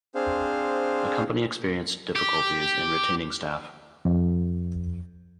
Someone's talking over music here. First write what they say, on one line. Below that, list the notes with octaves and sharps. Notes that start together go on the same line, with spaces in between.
The company experienced difficulties in retaining staff.
C4 D4 G#4 C5 F5
G4
F2